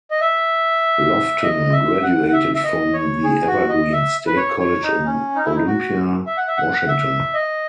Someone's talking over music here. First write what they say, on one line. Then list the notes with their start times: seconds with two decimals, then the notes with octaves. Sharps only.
Lofton graduated from The Evergreen State College in Olympia, Washington.
0.11 D#5
0.21 E5
1.43 D#5
1.72 E5
2.03 F#5
2.28 F#5
2.33 E5
2.55 E5
2.64 D#5
2.93 C#5
3.24 G#4
3.47 F#4
3.69 D#5
3.92 E5
4.27 B4
4.37 C#5
4.60 C#5
4.82 D#4
5.06 C#4
5.35 D#4
5.45 E4
5.55 D#4
5.67 F#4
6.27 E5
6.37 F#5
6.47 E5
6.57 F#5
6.88 E5
7.34 D#5